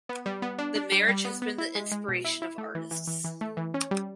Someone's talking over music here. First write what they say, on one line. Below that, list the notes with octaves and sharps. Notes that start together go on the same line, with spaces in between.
The marriage has been the inspiration of artists.
B3
G3
B3
D4
D4
G3
G3
B3
B3
E4
G#3
G#3
B2
E4
E4
A3
E3
E3
E3
E3
A3
E3
C#4
G3